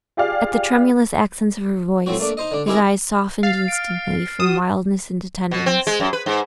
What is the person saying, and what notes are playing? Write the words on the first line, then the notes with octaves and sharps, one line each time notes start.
At the tremulous accents of her voice, his eyes softened instantly from wildness into tenderness.
F4 G4 G#4 D5 F5
A2 F3 F#3 C4 F#4
A3 A#3 D4
D#4 C5 D#5
D3 D4
C4 D#4 E4 G4 G#4 A#4
F5 A6 C7
F6 D7
F#4 D#6 E7
B2
C4
G#3
F#2
B4
G#2